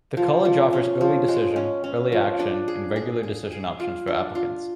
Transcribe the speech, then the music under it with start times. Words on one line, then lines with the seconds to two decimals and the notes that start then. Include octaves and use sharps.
The College offers Early Decision, Early Action and Regular Decision options for applicants.
0.17 F3
0.45 F3
0.73 C#4
1.01 F3
1.28 G#3
1.56 C#4
1.84 C#4
2.12 F3
2.39 D4
2.68 G#4
2.96 G#4
3.23 G#4
3.52 G#4
3.80 F4
4.07 D4
4.35 F4